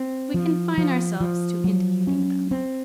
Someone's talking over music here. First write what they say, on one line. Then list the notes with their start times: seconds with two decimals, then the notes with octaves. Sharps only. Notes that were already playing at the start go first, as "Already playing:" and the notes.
We confine ourselves to indicating them.
Already playing: C4
0.34 F3
0.78 F3
1.20 F3
1.64 F#3
2.07 C#4
2.51 C4